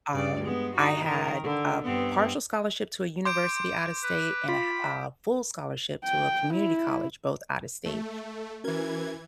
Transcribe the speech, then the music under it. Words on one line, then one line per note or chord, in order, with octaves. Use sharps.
Um, I had a partial scholarship to a university out of state and a ha uh, full scholarship to a community college, both out of state.
G2 C#3 D5
G#3 B3
D#4 F#4
D#3 A#4
D3
G2 B3 C4
C6 D6 G6 D7
B4
F4 B5
G5
E4
A3
E3 C#4 F#4 A#4 G#6